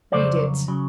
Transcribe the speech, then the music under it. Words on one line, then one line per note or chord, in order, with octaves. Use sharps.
"Read it."
F2 C#3 F#3 C5 D5
C#3 F#3